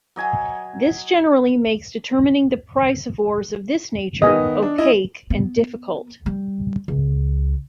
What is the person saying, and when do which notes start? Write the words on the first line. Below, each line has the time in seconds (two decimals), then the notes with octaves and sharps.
This generally makes determining the price of ores of this nature opaque and difficult.
0.16 F#3 D#5 G#5
4.22 D#3 B3 D#5 G#5
4.62 D4
4.78 E4 D#5
5.30 B3
6.26 G3
6.88 C#2